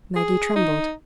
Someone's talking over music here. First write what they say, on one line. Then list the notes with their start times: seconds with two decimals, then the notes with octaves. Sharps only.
Maggie trembled.
0.16 G#4
0.56 D#4